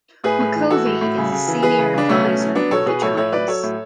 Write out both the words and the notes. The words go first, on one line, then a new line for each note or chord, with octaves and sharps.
McCovey is a senior advisor with the Giants.
A2 G#4 B4
A2
E3
E3 F#4 A4
A2
A2
C#3
C#3
E3
E3 G#4 B4
C#3
C#3 D4
B2 A3 C#4
B2
F#3
F#3 B3 D4
B2 A4 C#5
B2 G#4 B4
A2 A4 C#5
A2 A4 C#5
F#3 B4 D5
F#3 A4 C#5
A2